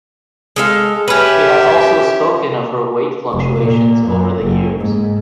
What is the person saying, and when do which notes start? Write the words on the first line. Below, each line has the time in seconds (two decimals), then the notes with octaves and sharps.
She has also spoken of her weight fluctuations over the years.
0.56 G#3 A4 F5
1.08 C#4 G4 B4 E5
3.33 F1
3.61 A#2
4.07 F#2
4.41 F#1
4.79 G#2